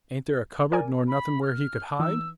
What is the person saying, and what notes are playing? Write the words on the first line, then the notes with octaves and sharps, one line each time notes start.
Ain't there a cupboard nor nothing where he could hide?'
A#4 D5 G#5
B5
F6
E3 D#4 E6